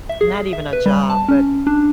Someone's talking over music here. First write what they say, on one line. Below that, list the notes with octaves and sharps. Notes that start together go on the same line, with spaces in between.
not even a job, but,
E5
G#4
E5
B4
G3
A5
C#4
D4